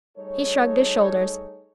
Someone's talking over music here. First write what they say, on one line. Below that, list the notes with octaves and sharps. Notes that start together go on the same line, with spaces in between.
He shrugged his shoulders.
G3 A3 D#4 G#4 A4 C#5